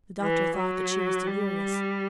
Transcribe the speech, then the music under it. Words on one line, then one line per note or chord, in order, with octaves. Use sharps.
The doctor thought that she was delirious.
E3
F#3
G3